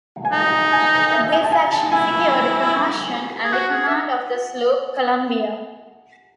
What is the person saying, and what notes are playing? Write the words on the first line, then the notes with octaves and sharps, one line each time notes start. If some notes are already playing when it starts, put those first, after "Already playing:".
This action secured promotion and the command of the sloop "Columbia".
G#5
D#4 A5
G#5
E5
G#5
A5
G#5
A5
E4 G#5
G#4
F#4 F#5
G#4
E5